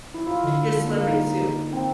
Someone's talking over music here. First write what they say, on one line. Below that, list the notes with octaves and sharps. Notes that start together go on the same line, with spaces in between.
you're slurping soup,
E4
F4
D3
A#3
D#4
C4